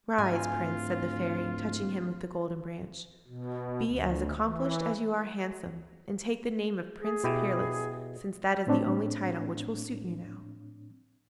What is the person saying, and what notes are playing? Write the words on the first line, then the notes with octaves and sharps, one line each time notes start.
'Rise, Prince,' said the Fairy, touching him with the Golden Branch. 'Be as accomplished as you are handsome, and take the name of Prince Peerless, since that is the only title which will suit you now.'
D1 G#2 F4 G#5
B2
D2
E3
G#4
B2 E4 G4
A2 C4 D4 C#5